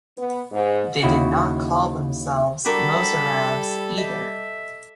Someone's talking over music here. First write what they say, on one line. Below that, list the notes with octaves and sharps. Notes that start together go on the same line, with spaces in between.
They did not call themselves "Mozarabs" either.
B3
G#2
D#2 C#3 E4 F#4
G3 D4 E4 F#4 G4 A4 A#4 B5
D#5 E5